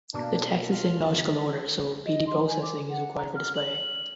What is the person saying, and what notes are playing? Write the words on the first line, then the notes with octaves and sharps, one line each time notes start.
The text is in logical order, so bidi processing is required for display.
B2 A#3 D4
F4 F6
G1 A5
D#5
C6
G#5
D6
F#5
A#5
F6
F#7